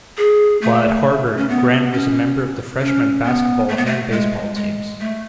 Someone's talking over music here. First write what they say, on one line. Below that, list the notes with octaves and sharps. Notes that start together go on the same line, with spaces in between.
While at Harvard, Grant was a member of the freshman basketball and baseball teams.
G#4
A3
C#4
B3
C#4
C#4
B3
A3
B3
A3
G#3
G#3
A3